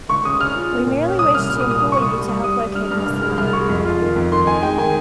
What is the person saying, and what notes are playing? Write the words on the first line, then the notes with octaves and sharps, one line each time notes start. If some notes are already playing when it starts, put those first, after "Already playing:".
We merely wish to employ you to help locate a missing item.
C#2 C#6
C#3 D#6
C#3 F6
F4
A#2
A#2
C#4
C2 D#6
C2 F6
A#2 F6
D#6
A#2
D#6
C2 D#6
C#6
C2 D#6
G3
G3
G3 D#6
G3
G2 F6
G2 F6
C2 F6
G#3 F6
C2 F6
G#3 C#6
F2
F4
D#3
F2
D#3 C6
D#4 G#5
G#3 G5
D#3 G#5